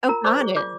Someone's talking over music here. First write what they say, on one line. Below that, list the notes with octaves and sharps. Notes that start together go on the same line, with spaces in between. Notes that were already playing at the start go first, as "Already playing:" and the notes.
Oh, got it.
F4 A#4 A#5
C5 D5 D6
G#4
F4 D5 D6